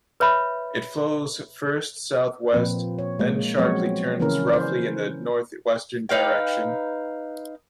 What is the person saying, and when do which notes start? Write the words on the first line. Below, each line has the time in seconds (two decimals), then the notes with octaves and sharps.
It flows first south-west, then sharply turns roughly in the north-western direction.
0.20 B4 C#5 E5 B5
2.52 A#2 F3 A#3 C4 B4
2.98 C#5
3.19 G#3 A#3
3.58 F3 F#3 G#3 B3 C4 C#5
4.20 C#3 E3 C#4 E4 A#4
4.53 C5
6.09 D#4 B4 F5 G5